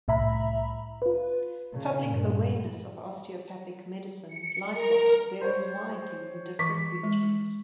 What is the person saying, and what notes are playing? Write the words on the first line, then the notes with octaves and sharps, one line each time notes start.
Public awareness of osteopathic medicine likewise varies widely in different regions.
C2 A2 E5 A#5 B5
F4 B4
C#3
G2 A#2
C#7
A#4
C5 C#5
E3 C#6 D6 B6
G#3